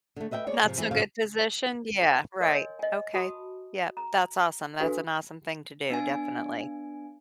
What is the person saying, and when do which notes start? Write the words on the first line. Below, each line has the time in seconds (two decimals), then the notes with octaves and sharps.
Not so good position? Yeah, right, okay, yep, that's awesome, that's an awesome thing to do, definitely.
0.16 D3 A3
0.31 B4 D#5 E5 F#5 G5
0.46 G#3 C#5 D5
0.62 G#2 C3 F3
0.78 E3 G#3 A3 C4
0.91 G#2 C#3 F#3 C5 F5
2.41 A#4 C#5 D#5 G#5 C6
2.79 D#5 G#5
3.14 F#4 A5 B5 D#6
3.97 A#5
4.80 D4 F#4 A4 B4 F5 G#5
5.90 B3 D4 G#5